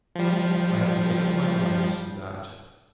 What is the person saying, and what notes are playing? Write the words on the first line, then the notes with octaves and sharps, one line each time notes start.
I have made up my mind as to that.
F3 G3